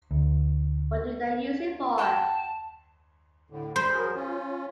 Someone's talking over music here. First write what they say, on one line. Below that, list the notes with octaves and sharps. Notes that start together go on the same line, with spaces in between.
What do they use it for?
D2
F#5 G5 A5
A2 D3
C5 B5 C6
F#3 G#4 A#4
C#4 F4